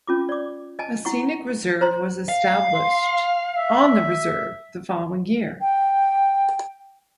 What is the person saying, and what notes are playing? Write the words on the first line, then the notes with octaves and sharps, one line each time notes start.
A scenic reserve was established on the reserve the following year.
C#4 F4 D6
D5 D6
D#5 G#5 A5
E4 F#5 C#6
C5 A#5 C6
F5
C6
E5
G5